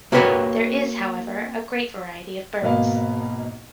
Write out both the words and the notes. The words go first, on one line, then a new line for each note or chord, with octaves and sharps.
There is however, a great variety of birds.
A#3 F#4 G4 B4 C#5
G#1 B2 A#3 B3 D#5 F5